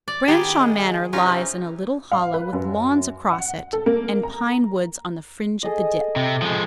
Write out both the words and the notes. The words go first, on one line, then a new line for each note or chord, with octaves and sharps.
Branshaw Manor lies in a little hollow with lawns across it and pine-woods on the fringe of the dip.
D5
D#3 B3 G4 G#4
G#3
C#4 D#4 F4
C3
F5
B4
F#2
F#5
A4
A#3
A#5
G#4 A4 D#5
C3 B5
F3 G#3